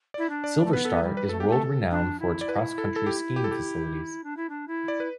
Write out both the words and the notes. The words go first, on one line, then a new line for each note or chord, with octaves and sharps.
SilverStar is world-renowned for its Cross-Country Skiing facilities.
E4 D5
D4
D5
D5
A3
B3 B4
A4
B4
G3
B4
A3 A4
B3 G4
A3 A4
D4
E4
D5
B4
A4
A4
G4
G4
A4
G4
D4
E4
D4
E4
D5
B4